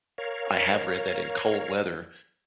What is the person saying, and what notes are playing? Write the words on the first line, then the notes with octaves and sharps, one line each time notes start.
I have read that in cold weather,
A#4 C#5 F5